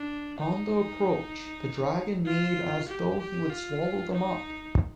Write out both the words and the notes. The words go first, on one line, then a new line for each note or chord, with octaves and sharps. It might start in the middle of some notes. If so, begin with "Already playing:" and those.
On the approach, the dragon made as though he would swallow them up.
Already playing: D4
D#4
F4
G4
G4
F4
D#4